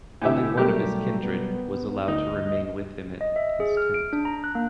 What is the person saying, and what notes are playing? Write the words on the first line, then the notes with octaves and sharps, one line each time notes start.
Only one of his kindred was allowed to remain with him at his tent.
A2 D3 E4 G4 E5 G#5
B2 F#3 G3 A3 G4 A#4
B3
D2 D#4 D#5
D#5
E5
G#4
F6
D7
D4
A#5
F#6
A#3